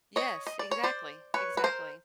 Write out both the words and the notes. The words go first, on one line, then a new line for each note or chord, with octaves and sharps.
Yes, exactly, exactly.
C#5 D#5
D#5
D5
C#5
C5 D5
B4 C#5
B4
A#4 C5